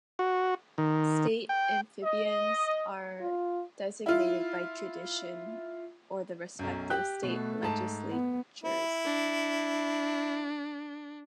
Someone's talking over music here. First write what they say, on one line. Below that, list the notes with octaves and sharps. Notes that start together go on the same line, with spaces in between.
State amphibians are designated by tradition or the respective state legislatures.
F#4
D#3
G5
D#5
F4
E4 F4
B1 F#2
G4 G5 F#6
B2 A3
G#2 A5
B3
E4
D4